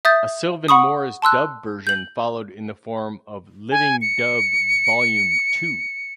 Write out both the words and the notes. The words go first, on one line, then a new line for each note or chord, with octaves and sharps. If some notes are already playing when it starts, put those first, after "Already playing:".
A Sylvan Morris dub version followed in the form of "Living Dub Volume Two".
E5 D#6 G6 A6
F#5 B5 C#6 D#6
A5 C6 E6 F#6
G6 F#7
G#5
C#7